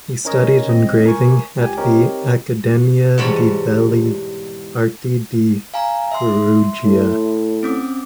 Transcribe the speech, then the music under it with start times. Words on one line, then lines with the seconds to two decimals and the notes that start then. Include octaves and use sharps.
He studied engraving at the Accademia di Belle Arti di Perugia.
0.25 C#4 D#4 A#4 C#5 D#5
0.69 G#1 C4 D#5
1.06 A#4 G#5 C#6
1.59 C#2 G4 G#5
1.77 C4 D#4 G4 A#4 C#5
3.18 E2 G#2 B2 G3 C#5 B5
5.74 F5 G#5 A#5
6.12 E5 C6
6.84 A2
7.63 C4 C#4 D6